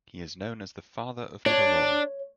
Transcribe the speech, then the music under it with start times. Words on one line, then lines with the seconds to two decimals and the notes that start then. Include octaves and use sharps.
He is known as the "Father of Parole".
1.46 D4 C#5